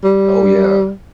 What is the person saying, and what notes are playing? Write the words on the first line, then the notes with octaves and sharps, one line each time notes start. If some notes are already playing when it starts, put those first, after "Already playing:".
Oh, yeah.
G3